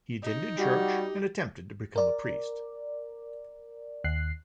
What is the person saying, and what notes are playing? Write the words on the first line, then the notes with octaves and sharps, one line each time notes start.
He attended church and attempted to become a priest.
D#4
G3 F#4 G4
A#4 D5
D#2 F#6 C7